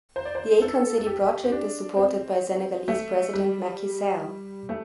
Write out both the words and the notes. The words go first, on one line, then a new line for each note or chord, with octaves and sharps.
The Akon City project is supported by Senegalese President Macky Sall.
C5
D5
C5
A4
A4
G4
C4
D4
C4
A3
G3
A3